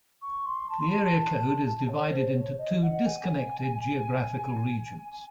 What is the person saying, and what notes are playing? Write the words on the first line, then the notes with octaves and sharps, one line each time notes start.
This area code is divided into two disconnected geographical regions.
C#6
C6
A5
C6
A5
A5
C#5
C5
C#5
D#5
F#5
G#5